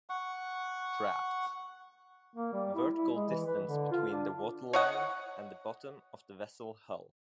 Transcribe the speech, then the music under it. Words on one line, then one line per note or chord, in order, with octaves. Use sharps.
Draft- Vertical distance between the water line and the bottom of the vessel hull.
F#5 C#6
A#3
G3
E4
E4
G#3
E3
B4
D3
F4
D4
C#5 D#5 F#5